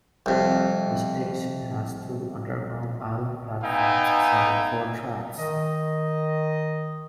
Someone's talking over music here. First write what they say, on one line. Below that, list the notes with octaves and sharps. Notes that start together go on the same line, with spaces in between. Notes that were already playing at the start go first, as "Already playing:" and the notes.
The station has two underground island platforms serving four tracks.
C2 F2
B3 D#4 E5 F5 G5 G#5
D#3 D#5